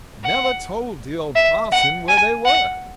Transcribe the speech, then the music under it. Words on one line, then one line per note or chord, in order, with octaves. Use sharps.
Never told the old parson where they were.
F#5
E5
F#5
G#5
F#5